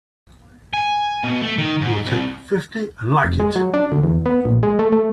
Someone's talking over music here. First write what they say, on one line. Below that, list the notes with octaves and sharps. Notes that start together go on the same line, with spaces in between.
You'll take fifty and like it!
G#5
B2
A3
D#3
G#2
C2
F1
G#3
F#3
D4
D2
E2
B3
A#1
G#3
A3
A3